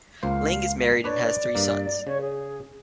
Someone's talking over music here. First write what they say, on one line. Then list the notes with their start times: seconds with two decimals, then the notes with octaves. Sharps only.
Ling is married and has three sons.
0.23 C#2 A#3 C5 F5
1.04 D4 B4 C#5 D5
1.55 G2 A#3
2.07 C#3 C#5
2.21 G#4